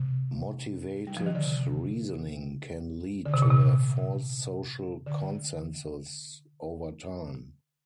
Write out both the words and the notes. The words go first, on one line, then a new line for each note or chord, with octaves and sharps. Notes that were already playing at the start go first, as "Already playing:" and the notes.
Motivated reasoning can lead to a false social consensus over time.
Already playing: C3
G3
F3
D#3
D3
C3
D3
C3
A#2
C3
D3